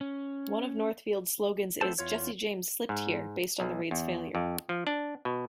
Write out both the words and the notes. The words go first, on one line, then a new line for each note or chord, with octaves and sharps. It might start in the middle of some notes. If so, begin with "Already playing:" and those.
One of Northfield's slogans is "Jesse James Slipped Here", based on the raid's failure.
C#4
A3 B3 C4 A4 C5 A5
E2 F4 C#5
G#2
B1
E2
F2
F3
D4
B2